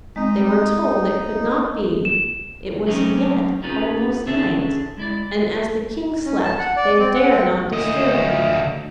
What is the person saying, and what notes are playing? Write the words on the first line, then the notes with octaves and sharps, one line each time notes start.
They were told it could not be, it was yet almost night, and as the King slept they dared not disturb him.
G#3 C4 D#4
E7
F#3 A3 A#3 C4 C#4 D#4
C#4 D#4 F4 F#4 G#4 B4
D3 C#4 D4 G#4 A4 E5
G#3 E4 D5
C#4
A5
F#5
D5
C4
F#5
C4
D2 D#5